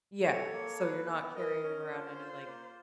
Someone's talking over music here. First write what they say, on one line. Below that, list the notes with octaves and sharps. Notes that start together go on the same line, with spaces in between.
yeah, so you're not carrying around any, like,
A4 C#5
A#3
B4
B3
A#4 D#5
C#4
F4 C5
F4
A#3